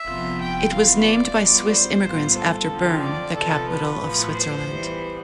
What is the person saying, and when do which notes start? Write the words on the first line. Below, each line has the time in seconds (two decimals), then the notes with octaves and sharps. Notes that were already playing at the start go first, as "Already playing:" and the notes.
It was named by Swiss immigrants after Bern, the capital of Switzerland.
Already playing: E5
0.08 C3 F3 B3 F4
0.41 G5
0.73 E3 B3 F4 F5
1.06 D5
1.39 B2 G3 B3 F4
1.72 C5
2.05 A2 G3 B3 F4
2.38 A4
2.71 D3 F3 C4
3.02 D5
3.35 C3 F3 B3 A4
3.69 B4
4.01 A2 F3 B3
4.34 C5
4.67 E3 G3 B3